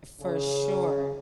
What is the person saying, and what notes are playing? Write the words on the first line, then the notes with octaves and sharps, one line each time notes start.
For sure.
C#3